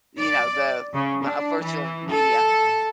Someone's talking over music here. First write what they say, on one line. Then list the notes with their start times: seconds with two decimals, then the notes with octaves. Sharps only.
You know, the the, uh, virtual media,
0.18 D5
0.93 C#3
1.22 D4
1.61 E3
2.09 A4